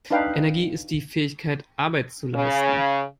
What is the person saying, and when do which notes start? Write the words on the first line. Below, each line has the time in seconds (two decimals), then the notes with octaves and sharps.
Energie ist die Fähigkeit Arbeit zu leisten.
0.10 D4 D#4 B4 F5 G5
2.35 C#3